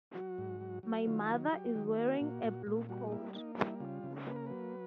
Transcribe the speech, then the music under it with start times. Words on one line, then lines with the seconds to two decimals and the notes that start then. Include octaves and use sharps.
My mother is wearing a blue coat.
0.15 F#3 F#4
0.38 G#2
0.61 F#3
0.83 F#3
1.06 D#3 F4
1.29 F#3
1.52 F#3 G4
1.75 D#3
1.98 A#3 F#4
2.21 A#2
2.44 A#2
2.67 A#2
2.89 G3 F#4
3.07 D#4
3.12 A#3 E4
3.35 A#3 D#4
3.58 G3 E4
3.80 C#3 F4
4.03 C#3
4.27 A#3 B4
4.36 A#4
4.46 F#3 B4